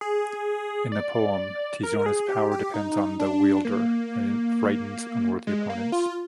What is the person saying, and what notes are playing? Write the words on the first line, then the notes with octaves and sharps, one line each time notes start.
In the poem, Tizona's power depends on the wielder, and it frightens unworthy opponents.
G#4
D5
A#4
A#4
G#4
G4
G4
D#4
D4
A#3
G#3
A#3
F4